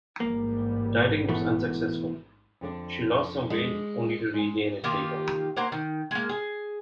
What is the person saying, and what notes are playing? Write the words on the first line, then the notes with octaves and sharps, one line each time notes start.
Dieting was unsuccessful; she lost some weight only to regain it later.
A1 G#2 G3 A#3
B2 E3 A3
F2 D3 D4
G#3
G#3 G#5
D#3 A#3 F4 G4
A#3 F#4 C5 A#5
D#3
G#3 A#3
G#4